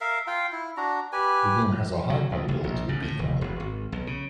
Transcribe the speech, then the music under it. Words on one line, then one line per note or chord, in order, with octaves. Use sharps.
The game has a high probability of being won.
A#4 E5 F5
F4 F5 G5
E4
D4 F#4 A#5
G4 B4 G#5
F#3
D2
F#1
A#1
F#2
A2
F1
E1
G#1
B1
C#3